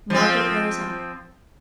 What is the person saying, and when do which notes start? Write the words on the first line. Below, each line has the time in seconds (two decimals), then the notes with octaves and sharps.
Margaret rose up.
0.10 F3 C4